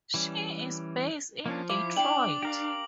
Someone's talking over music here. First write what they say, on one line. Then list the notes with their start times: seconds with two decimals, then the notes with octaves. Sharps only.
She is based in Detroit.
0.14 E3 G3 C#4
1.46 F3 A#3 C#4 D4
1.69 E4 F5 D6
1.96 D4 G5 F#7
2.43 G4 A#4 F5